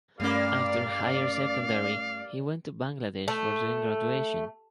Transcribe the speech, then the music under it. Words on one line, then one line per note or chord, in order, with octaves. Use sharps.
After higher secondary he went to Bangladesh for doing graduation.
G2 G3 A3 A#3 C#4 D5 F5
A3